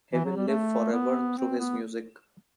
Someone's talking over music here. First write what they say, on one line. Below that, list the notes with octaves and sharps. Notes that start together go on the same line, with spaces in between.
He'll live forever through his music.
E3
F#3
G3
A3
B3
C4
B3